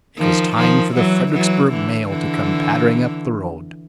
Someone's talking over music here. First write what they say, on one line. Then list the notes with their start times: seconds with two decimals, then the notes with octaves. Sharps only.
It was time for the Fredericksburg mail to come pattering up the road.
0.18 D#3 F3
0.56 D#3 F3
0.95 E3 F#3
1.33 E3 F#3
1.71 D3 E3
2.08 D3 E3